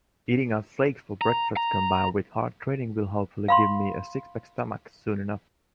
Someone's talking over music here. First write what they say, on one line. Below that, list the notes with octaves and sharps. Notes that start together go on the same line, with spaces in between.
Eating oat flakes for breakfast combined with hard training will hopefully give me a six-pack stomach soon enough.
A#5
A#5
F5 B5 C6